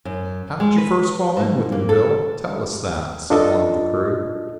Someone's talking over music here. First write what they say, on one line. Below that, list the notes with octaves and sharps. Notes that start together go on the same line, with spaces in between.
"How did you first fall in with him, Bill?--Tell us that," said one of the crew.
F#2
G#3
B4
G#2
A#3
A4
D4 F4 A4 D#5 A5